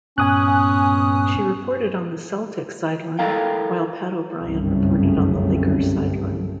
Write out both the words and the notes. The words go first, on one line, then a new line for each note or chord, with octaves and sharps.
She reported on the Celtics' sideline while Pat O'Brien reported on the Lakers' sideline.
G2 A#2 B3 C#4 G#5 D#6 F#6
E4 A4 A#4 F5 G5
G1 C2 F#2 C#3 G3 A3